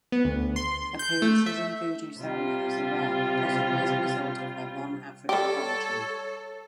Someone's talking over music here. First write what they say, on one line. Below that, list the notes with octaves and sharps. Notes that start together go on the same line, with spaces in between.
Appearances in Voodoo ceremonies are rare, possibly as a result of her non-African origin.
B3
D2
C6
G6
A3
E5
C3 G3 F4
G3 G4 A4 C#5